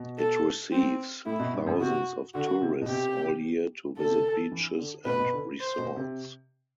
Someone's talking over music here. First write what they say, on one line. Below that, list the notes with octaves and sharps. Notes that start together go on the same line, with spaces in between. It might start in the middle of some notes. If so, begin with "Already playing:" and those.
It receives thousands of tourists all year to visit beaches and resorts.
Already playing: B2
A4
C4
A2 E4
B2
G2
F#2
C3 F#4
D3 F#4
C3
B2
C3 G4
D3 A4
C3
D3
E3
D3
B2 B4
B2
D3
C5
B2
C3